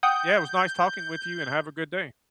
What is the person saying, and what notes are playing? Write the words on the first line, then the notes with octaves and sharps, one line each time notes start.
Yeah, it was nice talking with you, and have a good day.
F#5 G5 D#6 G6